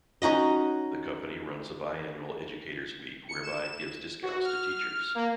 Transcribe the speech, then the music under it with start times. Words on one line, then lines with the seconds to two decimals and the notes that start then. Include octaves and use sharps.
The company runs a bi-annual educator's week whereby it gives discounts to teachers.
0.22 C#4 D#4 F#4 D#5
3.29 C#7
3.43 E7
4.23 F#4
4.44 F6
5.15 A#3